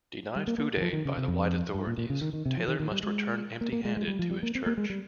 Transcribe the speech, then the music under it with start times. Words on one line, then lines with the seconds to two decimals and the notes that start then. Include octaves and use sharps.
Denied food aid by the white authorities, Taylor must return empty-handed to his church.
0.36 G3
0.47 A#3
0.58 A#3
0.77 D#3
0.81 F3
0.93 D#3
1.05 C#3
1.17 C3
1.28 F2
1.74 G2
1.87 A#2
1.98 A#2
2.10 C#3
2.21 D#3
2.33 D#3
2.45 C3
2.57 F3
2.68 D#3
2.80 D#3
2.91 G3
3.03 G#3
3.61 A#3
3.72 A#3
3.85 G#3
3.97 G#3
4.08 G3
4.19 F3
4.31 G3
4.43 A#3
4.55 C4
4.66 A#3
4.77 G#3
4.90 G3